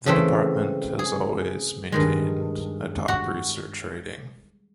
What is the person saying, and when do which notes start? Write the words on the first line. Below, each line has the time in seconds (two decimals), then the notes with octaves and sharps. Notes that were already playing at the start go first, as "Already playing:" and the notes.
The department has always maintained a top research rating.
0.06 C#3 E3 A3 C4 A4
0.99 G#4
1.92 G2 D#3 G#3
3.08 F#4